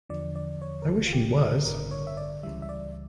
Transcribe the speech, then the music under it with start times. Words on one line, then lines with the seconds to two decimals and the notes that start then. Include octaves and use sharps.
I wish he was!
0.09 E2 D3 F3 D5
0.36 D5
0.62 C#5
0.82 A#4
0.87 C#2 C#3 E3 G3 A4
1.07 F4
1.13 G4
1.65 A1 G2 D3 A#4
1.91 C#5
2.07 E5
2.17 D5
2.43 C#2 C#3 E3 G3 E5
2.62 E5
2.69 D5